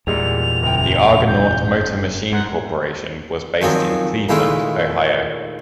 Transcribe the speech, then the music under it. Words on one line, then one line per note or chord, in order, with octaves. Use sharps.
The Argonaut Motor Machine Corporation was based in Cleveland, Ohio.
E2 A#2 G3 G#3 F7
F#1 G5
G6
G#2 F#5
D#3 F3 F#3 C4 G#5
A#2 D#3 G#3 A3 E4 F4